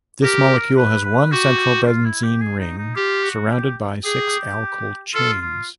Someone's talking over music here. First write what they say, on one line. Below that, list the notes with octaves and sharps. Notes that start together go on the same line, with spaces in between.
This molecule has one central benzene ring surrounded by six alkyl chains.
G4 A#4
B4
B4
F#4 G4
G4
F4
E4
G4
G#4
D#4
D#4
F4 G4
F#4
G4
G4 G#4
F4 A4
F4